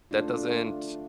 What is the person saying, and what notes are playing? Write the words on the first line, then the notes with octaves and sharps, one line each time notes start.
that doesn't
A3 D4 F4